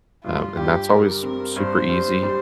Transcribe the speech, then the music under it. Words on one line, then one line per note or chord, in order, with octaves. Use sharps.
um, and that's always super easy.
G2 F4
G2 G4
G3 A#4
C4
G2 C5
G2
G3